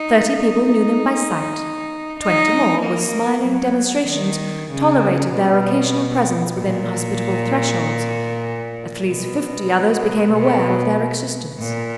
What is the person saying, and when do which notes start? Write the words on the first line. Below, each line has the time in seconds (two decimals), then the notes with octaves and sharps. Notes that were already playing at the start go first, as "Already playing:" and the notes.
Thirty people knew them by sight; twenty more with smiling demonstrations tolerated their occasional presence within hospitable thresholds; at least fifty others became aware of their existence.
Already playing: D#4
0.33 D#4
2.20 D#4
2.82 A#3
3.45 F#3
4.08 D#3
4.71 C#3
5.33 B2
6.58 A#2
9.07 B2
10.33 B2
11.59 A#2